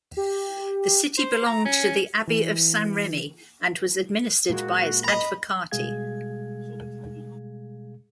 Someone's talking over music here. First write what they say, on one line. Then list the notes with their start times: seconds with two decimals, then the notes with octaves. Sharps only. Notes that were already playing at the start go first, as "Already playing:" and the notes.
The city belonged to the Abbey of Saint-Remi and was administered by its advocati.
0.17 G4
1.18 C5
1.46 A#5
1.66 C#4
2.28 E3
4.50 A#2 G#3 A#3 F#4
5.04 D#5 A#5 B5
5.71 B2 G3 G#3 G#4 F5 G#6